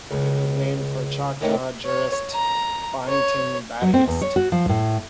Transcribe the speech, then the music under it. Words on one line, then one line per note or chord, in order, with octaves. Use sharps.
It was named for Choctaw jurist Byington Battiest.
C#2
A2 D#3 E3
C#5
A#5
C#5
F#3
C4
E2
C#5
F#4
F3
A2